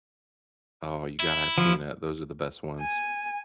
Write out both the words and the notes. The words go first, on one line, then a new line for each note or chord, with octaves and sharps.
Oh, you gotta have peanut, those are the best ones.
E4
F3
G#5